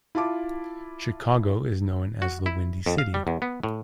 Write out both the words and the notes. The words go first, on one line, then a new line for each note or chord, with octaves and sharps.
Chicago is known as the Windy City.
E4 F4 A5 D6
F#4
E4
F2
F5
G3
E2
B3
A2